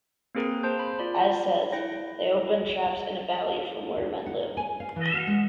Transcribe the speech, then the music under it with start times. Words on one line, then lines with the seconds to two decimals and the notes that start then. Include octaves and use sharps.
As says, They open shafts in a valley from where men live.
0.35 A#3 C4 G#4 A#4 B4
0.63 C5 A5 C6 G6
0.79 B5
0.99 F4 D5 B5
1.72 E4 G5 A#6
4.26 F#5
4.40 A#4
4.57 G#5
4.80 F5
4.96 E3
5.14 F#4
5.27 G#3